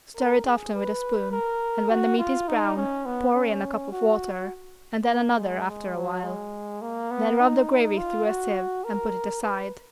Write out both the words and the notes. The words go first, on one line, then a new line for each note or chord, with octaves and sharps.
Stir it often with a spoon and when the meat is brown pour in a cup of water and then another after a while. Then rub the gravy through a sieve and put it aside.
A#4
G#4
B4
A#4
F#4
F4
D#4
C#4
B3
C#4
F#4
A#3
G#3
G#3
F#3
G#3
A#3
B3
D#4
F4
F#4
A#4
B4